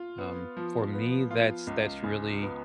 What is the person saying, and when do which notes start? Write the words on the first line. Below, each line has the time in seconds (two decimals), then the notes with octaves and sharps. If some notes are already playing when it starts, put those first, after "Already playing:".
um, for me, that's that's really
Already playing: F4
0.18 B3
0.57 F3
0.93 B3
1.31 F4
1.67 C#2
2.04 C#3
2.42 B3